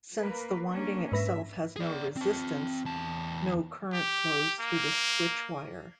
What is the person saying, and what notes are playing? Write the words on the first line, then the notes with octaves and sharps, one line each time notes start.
Since the winding itself has no resistance, no current flows through the switch wire.
A#3 A#4 B4
A#3 C#4 D4
G#2 B4 E5 A#6
G#4 D5
C4 A5
E2 A5
G4
A#3